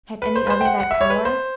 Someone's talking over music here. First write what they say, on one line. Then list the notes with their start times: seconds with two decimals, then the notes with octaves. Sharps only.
Had any other that power?
0.22 B4
0.36 C5
0.47 B4
0.50 C5
0.61 G5
0.65 F#5
0.80 F#5
0.91 E5
1.01 C#5
1.10 B4
1.25 C5